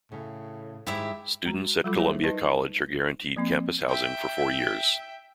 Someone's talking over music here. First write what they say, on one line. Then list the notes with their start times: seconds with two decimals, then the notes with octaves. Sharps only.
Students at Columbia College are guaranteed campus housing for four years.
0.12 A2 C#3
0.87 G#2 D#3 G#3 E4 G4 E5
1.46 G#3 F#4 A#5
1.84 F#3 G3 F4 A4 B5 D6
1.98 E4 G#4 C5 E5
2.24 D#4 A#4 B4 D#5 A5
3.36 F3 A#3 C4
3.88 E5 G5